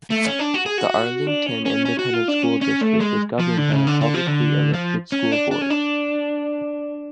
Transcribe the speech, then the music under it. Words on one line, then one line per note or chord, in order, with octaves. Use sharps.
The Arlington Independent School District is governed by a publicly elected school board.
A3
C#4
D4
F#4
G#4
F#4
D4
C#4
C#4
C#4
F#4
F4
D4
C#4
C#4
A3
G#3
F3
D3
C#3
D3
D3
F3
D3
F3
C#4
D4
D4
C#4
D4